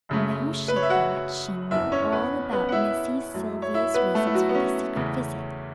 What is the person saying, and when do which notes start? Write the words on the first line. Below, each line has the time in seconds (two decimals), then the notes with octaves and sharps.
Now, she thought, she knew all about Missy Sylvia's reasons for the secret visit.
0.09 F#2 C#3 A3
0.68 B4
0.76 C#5
0.82 E5
0.90 F#4 F#5
1.71 F#1 E2 E3 E4 E5
1.92 C#4 C#5
2.12 B3 B4
2.52 B3 B4
2.69 F#5
2.72 E4 E5
3.34 F#2 F#3 A3
3.62 C#5
3.74 E4 E5
3.94 B3 B4
4.15 A3 A4
4.26 E4
4.34 F#3 F#4
4.49 B3
4.55 C#4
4.95 E2 C#3 A3